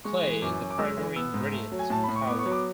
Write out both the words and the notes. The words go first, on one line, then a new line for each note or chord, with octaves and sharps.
Clay is the primary ingredient of kaolin.
G#3 C#6
E3
F#2 D6
F#2
D6
G#3 E6
E3
B3 E6
G#2
A3
F#3
G#5
A2 A5
A2 B5
C#6
B3 D6
C#6
F#3
D6